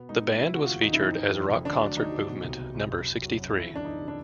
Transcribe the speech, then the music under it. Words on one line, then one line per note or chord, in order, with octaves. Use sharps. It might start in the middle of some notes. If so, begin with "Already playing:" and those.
The band was featured as rock concert movement number sixty-three.
Already playing: B2 B3
G#3 D#4
B3
C3 E4
D2 F#4
F4
E1
D#4
D#3
E4
F2 D#4
F2
F2
F1
D2 D4
F#3
D2 D#4
F#3
B2
C2
C2
C2
F#2
F#2
F#3
F#2
E1 E4
D2
D4
E3 D#4
C3
D4